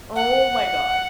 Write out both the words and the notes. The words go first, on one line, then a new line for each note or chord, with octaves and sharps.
Oh my god.
F#5